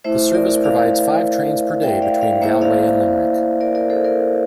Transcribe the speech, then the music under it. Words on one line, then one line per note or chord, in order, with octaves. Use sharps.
The service provides five trains per day between Galway and Limerick.
A3 E4 C5 E5
A#4 D5
D5 F5
E5 G5
D5 F5
D5 F5
A#3 E4 C5 E5
D5 F5
A#4 D5
A#4 D5
A4 C5
A#4 D5